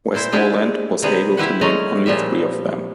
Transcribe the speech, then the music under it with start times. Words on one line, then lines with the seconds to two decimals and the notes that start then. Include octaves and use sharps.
Westmoreland was able to name only three of them.
0.14 A#2 E4 C5 E5
0.32 G#3 D4 E4 G4 G#4 E5
1.02 C3 G3 G#4 B4
1.37 E4 G4 B4 C5 E5 F#5
1.61 G#3 A3 C#4 A#5
2.06 A#2 F3 G3 E5